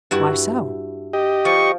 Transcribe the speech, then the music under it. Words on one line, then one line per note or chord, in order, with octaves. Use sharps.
"Why so?"
G2 E4 F#4
G4 D#5
F3 C#6